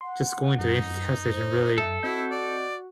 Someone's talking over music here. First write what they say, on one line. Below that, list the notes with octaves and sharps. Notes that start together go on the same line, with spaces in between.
just going to any gas station really
F#5 C6
F#2 D#4
C5
F#2 A4 E5
C4 E4 F#4 D#5 G6
D5